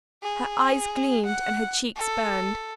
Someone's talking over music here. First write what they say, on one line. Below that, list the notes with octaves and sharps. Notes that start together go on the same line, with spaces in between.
Her eyes gleamed and her cheeks burned.
G#4
F#5
A4